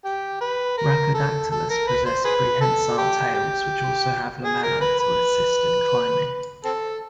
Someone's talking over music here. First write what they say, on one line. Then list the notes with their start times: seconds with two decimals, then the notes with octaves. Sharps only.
"Rhacodactylus" possess prehensile tails which also have lamellae to assist in climbing.
0.05 G4
0.41 B4
0.77 A#4
1.14 A4
1.51 A4
1.70 A#4
1.88 B4
2.06 C5
2.25 G#4 B4
2.61 A4
2.98 G4
3.34 G4
4.44 G#4
4.63 A#4
4.81 B4
5.00 B4
6.64 C4 A4